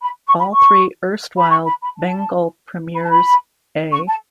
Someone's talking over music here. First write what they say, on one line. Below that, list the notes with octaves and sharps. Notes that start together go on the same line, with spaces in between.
All three erstwhile Bengal premiers-A.
B5
C#6
B5
C#6
B5
C#6
B5
B5
A5
B5
A5
B5
C#6
A5